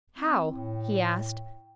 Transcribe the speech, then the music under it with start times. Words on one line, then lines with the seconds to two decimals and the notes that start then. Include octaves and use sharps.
"How?" he asked.
0.16 C4 E4
0.50 A2 G5